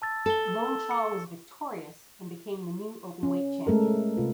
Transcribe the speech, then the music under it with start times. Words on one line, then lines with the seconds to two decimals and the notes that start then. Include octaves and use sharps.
Lone Chaw was victorious and became the new Openweight Champion.
0.02 A5 E6 A6
0.26 A4 E7 G7
0.48 E6
0.66 E6
0.91 C#7
3.23 C#4
3.67 G#3 A3 A4 A#4
4.16 C3 F4 B4